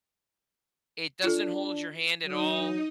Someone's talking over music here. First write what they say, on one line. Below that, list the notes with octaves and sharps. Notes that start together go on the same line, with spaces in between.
It doesn't hold your hand at all.
D4 F4 A4
F#3 D#4 D#6